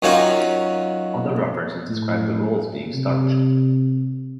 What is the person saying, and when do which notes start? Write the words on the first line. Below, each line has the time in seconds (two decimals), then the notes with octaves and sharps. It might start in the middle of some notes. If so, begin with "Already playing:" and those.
Other references describe the rolls being starched.
0.02 F#2 D#3 C#4 F4 F#4
1.89 A2
2.94 C3